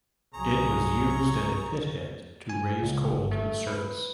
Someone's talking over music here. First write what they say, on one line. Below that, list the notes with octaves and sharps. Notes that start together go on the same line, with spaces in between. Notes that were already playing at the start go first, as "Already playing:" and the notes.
It was used at a pit head to raise coal to the surface.
C2 F#3 G#4 C#5 A#5
G#5
C#2
G1
A3
B4